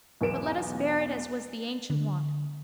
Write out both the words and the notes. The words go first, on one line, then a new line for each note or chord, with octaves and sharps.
But let us bear it as was the ancient wont.
B1 E2 B4 D7 E7
D3